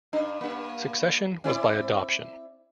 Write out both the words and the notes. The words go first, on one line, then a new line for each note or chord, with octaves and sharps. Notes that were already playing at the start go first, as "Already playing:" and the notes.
Succession was by adoption.
G2 D4
G2 A#3
C4 E4 D5